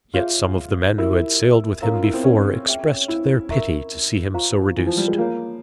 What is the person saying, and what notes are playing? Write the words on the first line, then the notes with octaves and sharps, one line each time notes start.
Yet some of the men who had sailed with him before expressed their pity to see him so reduced.
F4 G#4 C#5 E5
E4 G4 A#4 E5
C#4 A#4 F5 A#5 C#6
F4
E4
C4
C#4
G#4 E5 G5
E4
A#4 E5 A#5 C#6
F4 C5 F5 A#5 C#6
E3
F3
G3
G#3
A#3 F4 G#4 C#5